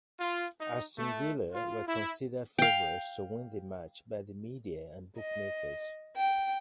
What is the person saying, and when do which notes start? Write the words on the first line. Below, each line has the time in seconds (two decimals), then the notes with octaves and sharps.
Aston Villa were considered favourites to win the match by the media and bookmakers.
0.20 F4
0.59 D#4
0.98 A3
1.51 F4
1.87 E4
2.59 F5 G5
5.19 D#5
6.17 G5